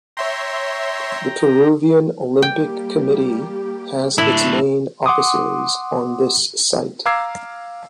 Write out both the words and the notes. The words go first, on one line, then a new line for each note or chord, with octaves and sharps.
The Peruvian Olympic Committee has its main offices on this site.
C#5 E5 G5 A#5 C6
G3 A#3 G4 G5
A2 D4 E4 E5
F#5 C6 D6 D#6
F5 A#5 D6 E6 G#6 C7